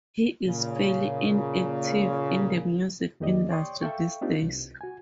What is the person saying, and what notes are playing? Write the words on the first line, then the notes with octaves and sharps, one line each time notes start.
He is fairly inactive in the music industry these days.
A#2 C#3
F2 D#3 A#3 G4 D5 D#5
C#5 D5 G5 C6 C#6 D#6
A4 E5 F5 G5 C#6
A#3 C4 D4 D#4 F4 G4
C2
F#4 G#5